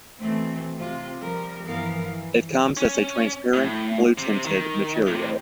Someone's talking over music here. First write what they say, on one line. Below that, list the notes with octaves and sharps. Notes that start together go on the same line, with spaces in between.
It comes as a transparent blue-tinted material.
B2 E3 A3 C4
C3 F4
F3 G3 A#4
G2 E3 F3 B3 A#4 F5
E3
C#4
A2
C3
D#3
A2 C3